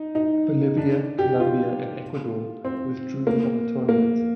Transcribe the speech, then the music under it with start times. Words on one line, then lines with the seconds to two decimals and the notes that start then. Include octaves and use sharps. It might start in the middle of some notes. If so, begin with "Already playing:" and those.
Bolivia, Colombia, and Ecuador withdrew from the tournament.
Already playing: D#4
0.15 D#4
0.77 D4
1.19 G4
1.40 F4
2.65 C4
3.27 A#3
3.89 A#3